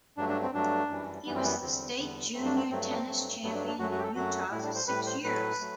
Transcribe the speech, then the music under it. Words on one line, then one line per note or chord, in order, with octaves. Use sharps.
He was the state junior tennis champion in Utah for six years.
G2 F#3 A3 D4
D4
C4
G2 F#3 A3 D4
F#2 E3 G3
F#2 E3 G3 B3
C4
B3
E2 D3 G3 C4
E2 D3 G3 B3
G2 F#3 A3 C4
D4
C4
G2 F#3 A3 C4
D4
C4
G2 F#3 A3
G2 F#3 A3 B3
D4
D4
F#2 F#3 A3 F#4
F#4
G4
A4
F#2 F#3 A3 F#4
A2 G3 E4
D4
C5
A2 G3 B4
C5
A2 F#3 A3 B4
F#3 A3